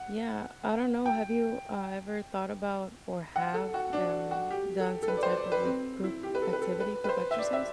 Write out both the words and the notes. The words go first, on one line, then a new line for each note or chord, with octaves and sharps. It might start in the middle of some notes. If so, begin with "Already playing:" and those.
Yeah. I don't know. Have you, ah, ever thought about or have, um, done some type of, like, group activity, group exercise?
Already playing: F#5
G5
F#5
A4
F#4
D4
F#4
G4
A4
A4
B4
D5
C5
D5
B4
C4
E4
G4
B4
A4
B4
A4
B4
B4
C5
E5
D5
E5